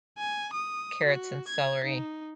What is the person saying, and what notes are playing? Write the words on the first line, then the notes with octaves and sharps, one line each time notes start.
carrots and celery."
G#5
D#6
F#4
G#6
D#4